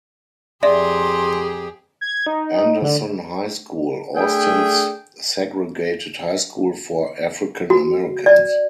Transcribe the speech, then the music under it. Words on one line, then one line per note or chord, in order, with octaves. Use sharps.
Anderson High School, Austin's segregated high school for African Americans.
F2 G4 G#4 D5 E5 C6
G#6
D#4
D3
A3 D4 G#4 E5 G5
F#4
D5